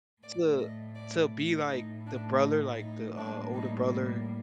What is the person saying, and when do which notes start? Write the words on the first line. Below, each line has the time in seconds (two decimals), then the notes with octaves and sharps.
to to be, like, the brother, like, the, uh, older brother
0.21 A2 A3 D5
0.58 D#5
0.95 D5
1.70 A2 A3 D#4
2.06 D4
2.43 D#4
2.80 D#4
3.16 A2 G3 A#3 D4
3.54 D#4